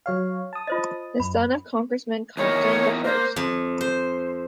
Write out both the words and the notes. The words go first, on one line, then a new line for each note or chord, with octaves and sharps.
The son of Congressman Compton the First.
F#3 C#5 F5
A5 D#6
F4 C5 D#5
F#2 B5
E2 D#4 A#4 C#5
A#3 C5
F2
C5